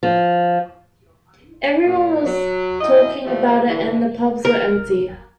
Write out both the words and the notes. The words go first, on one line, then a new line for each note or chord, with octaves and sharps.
Everyone was talking about it and the pubs were empty.
F3
A#2
F#3
F#2 E4 D#5
G#2 E3 F3 G3 A3
D3 E3
A#4